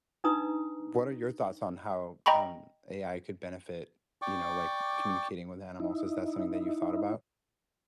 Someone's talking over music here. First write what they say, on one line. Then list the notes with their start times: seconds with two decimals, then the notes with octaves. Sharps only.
What are your thoughts on how, um, AI could benefit, you know, like, communicating with animals? Is that something that you've thought about?
0.24 D4 D#4 B4 A#5 D#6
2.26 D#5 G5 A#5 B5 C#6
4.22 D5 G5 C#6 D6
5.80 D#4 E4